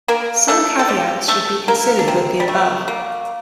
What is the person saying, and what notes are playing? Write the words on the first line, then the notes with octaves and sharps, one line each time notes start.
Some caveats should be considered with the above.
A#3 A#4
A3 A4
A4
G3 G4
A3 A4
A#3 A#4
D4
C3 C4
G3
A3
A#3